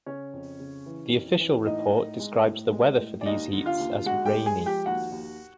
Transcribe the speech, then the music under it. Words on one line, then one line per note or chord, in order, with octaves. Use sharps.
The Official Report describes the weather for these heats as 'rainy'.
C#3 C#4 C#5
F2
C#3
E3
F2
E3
A2 D#4 D#5
A2
G#3
A2
G#3
A2
D5
D#2 D#4 D#5
D3
F4 F5
D#2
G#3 F#4 F#5
G4 G5
G#3
G#4 G#5
F3
G4 G5
D#2 F#4 F#5
D#2